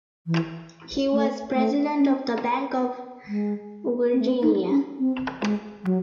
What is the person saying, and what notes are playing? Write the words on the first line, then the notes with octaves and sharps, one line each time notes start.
He was president of the Bank of Virginia.
E3
A3
A3
C#4
G#3
C4
A3
C4
D#4
C#4
C4
G#3
F#3